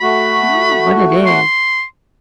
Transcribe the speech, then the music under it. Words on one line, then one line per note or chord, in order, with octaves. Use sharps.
I don't know what it is.
A3 F#4 B5
C6